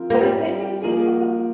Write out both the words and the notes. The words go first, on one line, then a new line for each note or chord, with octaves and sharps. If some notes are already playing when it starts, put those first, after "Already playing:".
But it's interesting 'cause it's
Already playing: F3 C4 F4 A#4
A#3
G3
F3 A#3 F4 A#4 D#5